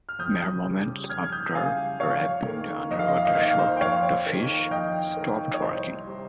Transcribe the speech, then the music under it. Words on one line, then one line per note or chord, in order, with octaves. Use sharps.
Mere moments after wrapping the underwater shoot, the fish stopped working.
F6
F2 D#6 G6
C#3
G3
F2 F6 G#6
G#6
D#6 G6
C#3 G3 F5 G#5
F2 C#5 F5
D#3 A#3
F2 D#5
F5
D#5
F5
D#5
D#3 A#3 F5
D#5
F5
C5 D#5
G5
F2 C#5 F5
D#3 A#3
F2 D#5 G5
D#3 A#3
C#5
C2 C5 D#5
C3 G3